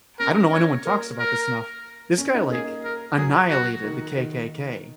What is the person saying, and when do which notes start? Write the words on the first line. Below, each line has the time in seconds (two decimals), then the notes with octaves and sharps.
I don't know why no one talks about this enough, this guy, like, annihilated the KKK,
0.19 C#4 A#4
0.53 C#5
0.85 A#3 A#4
1.19 A#4
2.18 C#4
2.34 D#4
2.51 A#3 G#4
2.84 A#4
3.17 F#3 G#4
3.50 F#4
3.84 D#3
4.17 D#3